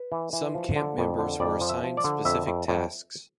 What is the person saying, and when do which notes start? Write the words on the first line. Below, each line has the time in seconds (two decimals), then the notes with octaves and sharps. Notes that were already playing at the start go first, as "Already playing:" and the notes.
Some camp members were assigned specific tasks.
Already playing: B4
0.12 E3
0.33 E3
0.55 F3
0.76 D3
0.98 F2
1.19 D3
1.40 F2 D5
1.61 F3
1.69 E5
1.84 F3
1.97 D5
2.04 D3
2.25 F2 E5
2.47 F2
2.68 F2